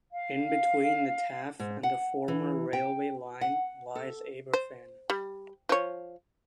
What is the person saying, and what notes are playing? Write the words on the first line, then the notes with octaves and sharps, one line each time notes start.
In between the Taff and the former railway line lies Aberfan.
F5
G#2
F#5
E3
G5
F#5
A4
C5
G3
F3 C#5